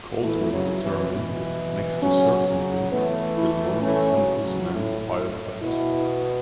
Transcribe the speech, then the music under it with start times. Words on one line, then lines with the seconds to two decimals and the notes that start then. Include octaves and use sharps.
Coltman determined with "next to certainty" that one of Semple's men fired first.
0.22 E3 A3 E4
0.52 C#3 F#3
0.82 B2 E3
1.12 B2 E3
2.02 C#3 F#3 C#4
2.46 C#3 F#3
2.91 E3 A3 B3
3.37 E4
3.81 E3 A3 C#4
4.12 C#3 F#3
4.42 C#3 F#3
4.73 A2
5.01 A2
5.32 A2
5.62 B2 E4